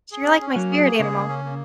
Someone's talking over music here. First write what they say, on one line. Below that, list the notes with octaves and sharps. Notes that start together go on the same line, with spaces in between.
You're like my spirit animal.
G#4
C#4
C#4
F#3 A#3
G#4
A#3
C#3 G#4
A#3
C#4
A#3